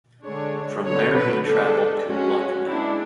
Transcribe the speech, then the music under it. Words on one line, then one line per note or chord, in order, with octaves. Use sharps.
From there he travelled to Lucknow.
D3 G#3 D4 C#5
D3 F#3 B3 C#5
B4
G#3 D4 A4
G#3 C#4 F#4
G#3 B3 D4 E4